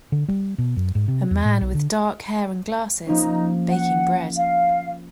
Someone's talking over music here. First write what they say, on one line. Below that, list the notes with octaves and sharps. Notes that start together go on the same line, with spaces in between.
A man with dark hair and glasses baking bread.
D3
G3
B2
F#2
G#2
C3
E2
A2
B1
D3
F3 A#3 C#4 D#4
F#5
F5